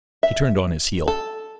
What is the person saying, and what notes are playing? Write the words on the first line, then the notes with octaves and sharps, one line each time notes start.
He turned on his heel.
E5
A4